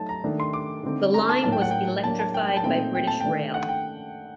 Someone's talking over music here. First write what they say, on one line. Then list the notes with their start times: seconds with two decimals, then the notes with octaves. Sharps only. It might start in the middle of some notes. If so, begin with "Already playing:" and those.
The line was electrified by British Rail.
Already playing: F#3 A3 D#4 A5
0.09 A#5
0.24 D#3 A3 D4
0.40 C6
0.53 D6
0.83 D3 A3 C4 D#4
1.14 A#5
1.29 A5
1.43 A2 F#3 A#3 D#4 A5
1.52 G5
1.61 F#5
1.71 G5
2.04 A2 F#3 A#3 D4 A5
2.19 A5
2.34 G5
2.49 G5
2.57 A5
2.64 A#2 A3 C4 D#4 G5
2.95 G5
3.07 A5
3.21 D#3 A3 D4 G5
3.54 F#5
3.69 G5